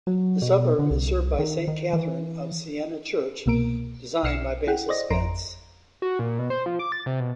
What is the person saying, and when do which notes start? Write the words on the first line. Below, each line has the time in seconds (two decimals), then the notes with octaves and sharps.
The suburb is served by Saint Catherine of Siena church, designed by Basil Spence.
0.07 F#3
0.42 B2
0.79 D3
0.91 C2
1.39 D#3
1.68 D#3
1.93 E3
3.46 C2 B2 A#3 A#4 D7
4.23 B1 E5 F6 C7 C#7 E7
4.67 E4 G#4 F#5 G5
4.89 C5 D5 D#5 A#6
5.10 G#1 F2 A#5 C6 D7
6.02 F#4
6.19 A#2
6.39 B2
6.50 C5
6.66 F3
6.79 D6
6.92 A6
7.06 C3
7.20 B2